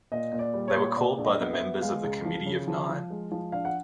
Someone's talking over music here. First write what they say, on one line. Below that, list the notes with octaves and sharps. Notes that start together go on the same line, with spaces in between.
They were called by the members of the committee of nine.
A#2 D#5
A#2
D5
G3
C#5
A#2
A#2 D5
A#1
D#5
B3
E5
B3
G#3 F5
C#2
F3
C#3
F3
F3
G#3
F3
D4 F5
F#5